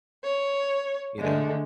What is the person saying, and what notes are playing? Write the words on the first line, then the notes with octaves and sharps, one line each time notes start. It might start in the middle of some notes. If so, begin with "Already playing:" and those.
you know,
C#5
D3 G#3 A3